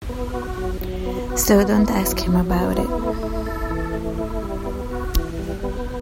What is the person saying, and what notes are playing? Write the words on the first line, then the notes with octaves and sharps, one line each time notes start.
So don't ask him about it.
B3
F#4
F#3
F#3
B3
F#4
B3
E4
F#3
F#3
B3
E4
A3
E4
A4
E3
A3
E4
G3
B3
F#4
E3
G3
B3